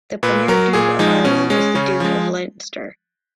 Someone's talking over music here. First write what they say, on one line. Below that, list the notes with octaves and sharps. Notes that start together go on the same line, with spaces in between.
The premier duke of Ireland is the Duke of Leinster.
A#2 B4
F#3 A#4
A#2 G#4
F3 G#3 D#4
B2 C#4
G#3 C#4
C#3 C#4
F3 G#3